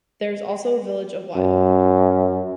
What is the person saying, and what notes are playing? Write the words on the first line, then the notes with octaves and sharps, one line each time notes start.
There is also a village of Wylye.
F#2